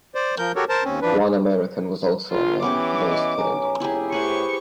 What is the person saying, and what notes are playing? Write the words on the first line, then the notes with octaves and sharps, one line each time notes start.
One American was also among those killed.
C5 D5
F3 A#4 G6
F#4 G4 A4 A#4 C#5
A#4 C5 A5
D#2 C4 C#4
E3 F3 D4 B4
A#1 F4
E3 B3 C#4 G4 D6
D#5
B1 C#5 G#5 A#5
F1 E4 G4 G#4
A2 G4 G#4 B4 C5 C#6